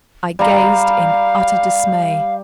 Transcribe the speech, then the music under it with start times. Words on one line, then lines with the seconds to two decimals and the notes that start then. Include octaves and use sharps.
I gazed in utter dismay.
0.39 G3 F5 A#5